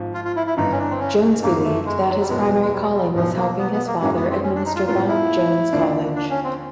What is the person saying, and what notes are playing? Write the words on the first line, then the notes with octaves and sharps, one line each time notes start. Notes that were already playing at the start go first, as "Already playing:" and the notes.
Jones believed that his primary calling was helping his father administer Bob Jones College.
Already playing: G#1 G#2 F3
F4
F4
E4
E4
G1 G2 E3 D#4
C#4
D4
C4
C#4
G1 F#2 D#3 F#3 A#3 B3
A3
G#3
F#3
G3
E2 B2 F#3 G#3 B3
G#3
G3
G3
B1 B2 F3 F#3 B3
A#3
B3
B3
A#3
F#2 D#3 G#3 A#3 C#4 F#4
B3
C4
C#4
D4
D#4
F4
A2 F3 G#3 B3 F4
E4
D#2 D3 F3 A#3 D4
D4
C#4
C4